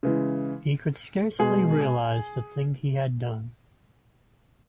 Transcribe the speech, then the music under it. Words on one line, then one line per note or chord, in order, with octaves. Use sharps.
He could scarcely realise the thing he had done.
C#3 E3 G#3
B2 G#3 G#4